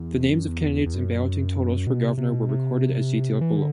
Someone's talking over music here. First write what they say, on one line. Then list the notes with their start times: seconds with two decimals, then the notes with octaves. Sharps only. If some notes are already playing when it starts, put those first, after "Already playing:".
The names of candidates and balloting totals for governor were recorded as detailed below.
Already playing: E2
0.32 F#2
0.48 E2
0.86 E2
0.94 F#2
1.87 B2
2.02 C3
2.18 C3
2.33 B2
2.49 C3
3.41 E3
3.57 D3